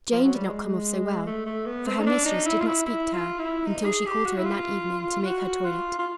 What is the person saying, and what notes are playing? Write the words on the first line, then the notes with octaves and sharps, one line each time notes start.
Jane did not come off so well, for her mistress did not speak to her until she called her in that evening to make her toilet.
F3
F#3
G3
G#3
A3
A3
B3
C4
D#4
D4
D#4
E4
F4
E4
E4
F4
E4
D#4
G#4
G4
F#4
E4
F4
F#4
F4
F4